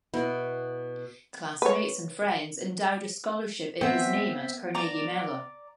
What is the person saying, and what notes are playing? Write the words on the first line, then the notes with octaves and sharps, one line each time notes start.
Classmates and friends endowed a scholarship in his name at Carnegie Mellon.
B2 B3 E4
B4 C#5
B3 C4 E5
D5 A#5